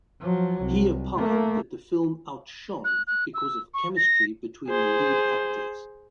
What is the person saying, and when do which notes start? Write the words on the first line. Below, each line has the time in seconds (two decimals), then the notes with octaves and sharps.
He opined that the film outshone because of chemistry between the lead actors.
0.20 F3 F#3
0.63 C2
1.17 A3 A#3
2.85 F#6
3.07 F#6
3.34 E6
3.74 C#6
3.96 A#6
4.69 G#4 C5